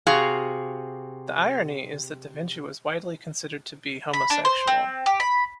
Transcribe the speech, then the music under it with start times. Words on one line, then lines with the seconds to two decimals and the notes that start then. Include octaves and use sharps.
The irony is that da Vinci was widely considered to be homosexual.
0.07 C3 F#4 G#4 F5
4.13 B5
4.30 D4
4.45 C5
4.67 C4
5.06 G4
5.20 B5